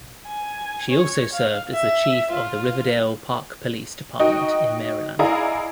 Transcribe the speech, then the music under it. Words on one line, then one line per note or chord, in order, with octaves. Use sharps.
She also served as the chief of the Riverdale Park Police Department in Maryland.
G#5
C#5
F5
E5
F4
D#4 F#4 D#5 G5
E4 G#4 D5 D#5 F5 A#5